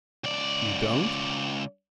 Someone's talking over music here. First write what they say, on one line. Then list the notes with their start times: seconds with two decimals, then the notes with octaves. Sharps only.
"You don't?"
0.24 C#2 D5